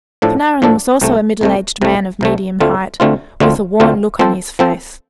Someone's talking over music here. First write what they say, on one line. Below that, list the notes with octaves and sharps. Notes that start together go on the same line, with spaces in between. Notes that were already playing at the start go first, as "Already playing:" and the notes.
Fanarin was also a middle-aged man of medium height, with a worn look on his face.
A2 F3 D4 A4
A2 F3 D4 A4
C2 C3 A3
C2 C3 A3
C2 C3 A3
C2 C3 A3
D2 D3 A3 C4 F4
D2 D3 A3 C4 F4
D2 D3 A3 C4 F4
D2 D3 A3 C4 F4
F3 C4 A4 C5
F3 C4 A4 C5